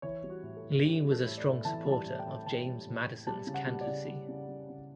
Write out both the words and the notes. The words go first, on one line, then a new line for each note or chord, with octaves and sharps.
Lee was a strong supporter of James Madison's candidacy.
E3 C#5
G3
F#4
A2
A4
A2
E3 G4
G3
A4
A2
D5
A2
E3 A5
G3
A5
A2
G5
A2
E3 A5
G3
A2
A2
G3 A5
C#3
F#5
G3
D5
C#3
G3
C#3
G3
C#3